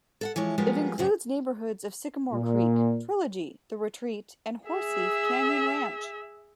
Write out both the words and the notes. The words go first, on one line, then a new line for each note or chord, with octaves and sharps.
It includes the neighborhoods of Sycamore Creek, Trilogy, The Retreat and Horsethief Canyon Ranch.
A4 F5 F#5
E3 F3 G#3 C#5
F3 G3 G#3 A#3 B3 C#4
F#2 C#3 C4
A#2
G#4 E5